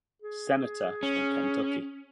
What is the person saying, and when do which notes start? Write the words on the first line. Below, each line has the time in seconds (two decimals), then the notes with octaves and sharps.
Senator from Kentucky.
0.22 G#4
1.03 C#4